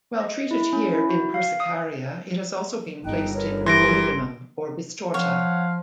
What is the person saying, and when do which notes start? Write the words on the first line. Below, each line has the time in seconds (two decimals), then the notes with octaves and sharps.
While treated here in "Persicaria", it has also been placed in "Polygonum" or "Bistorta".
0.20 D#5
0.51 E4
0.73 C#4
0.93 E4
1.09 F#4
1.34 F5
1.60 D#6
3.04 G1 D#4 G5 F#6
3.34 A#4 B4 C#5
3.66 E3 G4 A#4 C6 A#6 D7
5.14 F3 C#5 F5 F#5